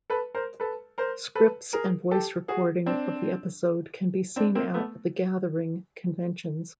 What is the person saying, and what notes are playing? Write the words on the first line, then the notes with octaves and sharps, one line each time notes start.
Scripts and voice recording of the episode can be seen at The Gathering conventions.
A4 B4
A#4 C5
A4 B4
A#4 C5
A4 B4
G#4 A#4
G4 A4
F#4 G#4
C4 D4
C4 D4
A#3 C4
A3 B3